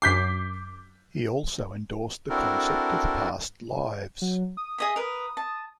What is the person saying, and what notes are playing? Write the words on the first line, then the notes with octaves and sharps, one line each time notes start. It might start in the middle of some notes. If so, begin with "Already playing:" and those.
He also endorsed the concept of past lives.
F#2 D6 G6 B6 C7
C4 D4 E4 F#4 A4 A#4
F#3
D#6
G#4 D#5 E5
A#4 B4
A5